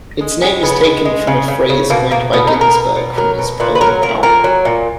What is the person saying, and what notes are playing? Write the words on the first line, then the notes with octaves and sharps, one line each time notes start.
Its name is taken from a phrase coined by Ginsberg, from his poem Howl.
G#3
G#3 C#4
C#3 B3
G#3
G#3
C#3
C#3
C#3
B2 A#3
B2 A#3
B2 B3
D#4
B2
A#4
B2
B2
F#3 A#4
B2
A#2 B4
B4
F#3 A#4
A#2 A#4
A#2 A#4
F#3
A#2